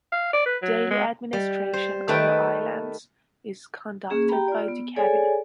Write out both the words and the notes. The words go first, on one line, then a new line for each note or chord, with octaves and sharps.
Daily administration of the islands is conducted by the Cabinet.
F5
D5
B4
F#3
G#3
G3
C5
D#3 A3 B4 G5
A#3 C#4 G#4
G4 G5 A#5 B5
F4 D5
B3
G#4 A4 C#5 D5 G#5